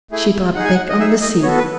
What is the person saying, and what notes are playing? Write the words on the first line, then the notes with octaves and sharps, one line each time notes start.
She dropped back on the seat.
A3 E4 G#4
D#4 G#4 F#5
G#5
F#5
D#5
D#4 G#4 E5
D#5
B3 F#4 A4 C#5
B4